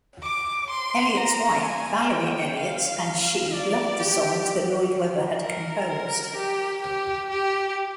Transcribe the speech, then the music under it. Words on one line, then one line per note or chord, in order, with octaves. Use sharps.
Eliot's wife, Valerie Eliot and she loved the songs that Lloyd Webber had composed.
D6
C6
A#5
G#5
G5
F5
D5
G4
A#4
A#4
G4
G4
G4